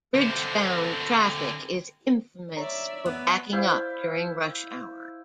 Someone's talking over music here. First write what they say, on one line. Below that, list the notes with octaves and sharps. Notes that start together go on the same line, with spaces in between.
Bridge-bound traffic is infamous for backing up during rush hour.
D3 C4
C#5 D5 E5 A#5
B3 B4
E4 C5 D5 F5